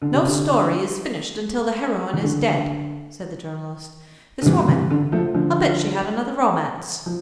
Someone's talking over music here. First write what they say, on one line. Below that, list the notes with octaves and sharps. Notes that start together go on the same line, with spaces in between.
"No story is finished until the heroine is dead," said the Journalist. "This woman,--I'll bet she had another romance."
D3
C3
D3
E3
D3
D3
C3 E3
C3 E3
D3
F3 A3
D3 F3
F3